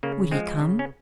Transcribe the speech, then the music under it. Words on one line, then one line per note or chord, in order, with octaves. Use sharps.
Would he come?
C#3 A#3
F3 G#3 C4
C#3
C#4